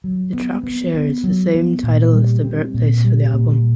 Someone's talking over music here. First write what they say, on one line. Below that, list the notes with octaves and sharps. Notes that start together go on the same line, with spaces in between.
The track shares the same title as the birthplace for the album.
F#3
B3
B3
B3
F#3
B3
A#2
G3
C4
A#2
G3
A#2